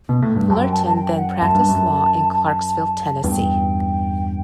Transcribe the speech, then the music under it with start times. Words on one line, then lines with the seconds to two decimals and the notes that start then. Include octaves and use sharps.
Lurton then practiced law in Clarksville, Tennessee.
0.09 B2
0.22 A2
0.36 G2
0.50 F#2 A5
0.54 G5
0.73 A5
0.86 A5
0.96 G5
1.19 F#5
1.41 F#2 A5
1.55 G2
1.69 F#2
2.33 A5
3.24 E2 G2 G5